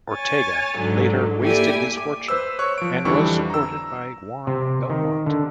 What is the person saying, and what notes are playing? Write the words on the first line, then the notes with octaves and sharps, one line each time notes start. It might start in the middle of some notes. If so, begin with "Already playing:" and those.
Ortega later wasted his fortune, and was supported by Juan Belmonte.
C#5 G#5 A6
G#2 D3 F#3
A#3 E4 G4 A4 D5 G#5
D6
B4 C5 E6
C#5 C#6 F#6
F3 D7
F2 D3 E3 G3 D4 C#6
A#5 E6
C3
D#3
D3